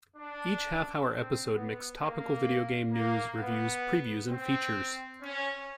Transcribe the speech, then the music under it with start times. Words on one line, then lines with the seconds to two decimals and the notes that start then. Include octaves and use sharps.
Each half-hour episode mixed topical video game news, reviews, previews and features.
0.17 D4
1.08 C4
1.54 B3
2.00 A#3
2.92 A#3
3.38 B3
4.30 C4
5.22 C#4